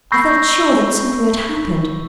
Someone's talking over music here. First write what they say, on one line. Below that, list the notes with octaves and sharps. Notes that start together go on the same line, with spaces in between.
I felt sure that something had happened.
B5 C#6 E6 G6 A#6 C7